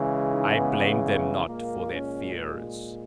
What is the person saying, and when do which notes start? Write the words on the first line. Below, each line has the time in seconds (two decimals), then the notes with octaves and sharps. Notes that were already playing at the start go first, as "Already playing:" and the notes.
I blamed them not for their fears.
Already playing: C#3 E3 G#3
0.28 D#4
0.57 B3
1.01 B3
1.46 A#2 G#3 A#3
1.90 C#4